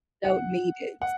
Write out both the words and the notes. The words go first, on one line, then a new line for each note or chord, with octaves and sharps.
Don't need it.
F#5
F#5